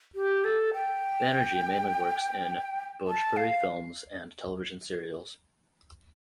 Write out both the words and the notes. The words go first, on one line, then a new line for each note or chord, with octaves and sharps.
Banerjee mainly works in Bhojpuri films and television serials.
G4
A4
G5
A5
F5